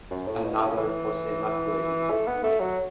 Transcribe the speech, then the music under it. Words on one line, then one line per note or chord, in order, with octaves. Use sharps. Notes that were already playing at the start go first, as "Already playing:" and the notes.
Another was evacuated to Kuwait.
F#2
A2
B2
C#3
E3
A3
B3
A3
F#3